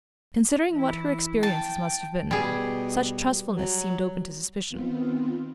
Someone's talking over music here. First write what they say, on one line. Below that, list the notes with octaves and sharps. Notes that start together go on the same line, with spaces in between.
Considering what her experiences must have been, such trustfulness seemed open to suspicion.
E3 E4
G5 A5
B2 G3 G#4
F#3
D#3 B3 C4 F4